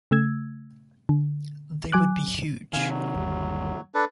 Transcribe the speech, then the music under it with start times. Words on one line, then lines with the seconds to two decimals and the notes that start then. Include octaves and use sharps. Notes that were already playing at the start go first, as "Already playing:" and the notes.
They would be huge.
0.11 C#3 A3 E6 G#6
1.09 D3
1.92 F#3 G#5 D6 F#6
2.73 C3 D#3 F5 G#5
2.89 F#3
3.15 G1 D#2 G3
3.94 D4 A4 B4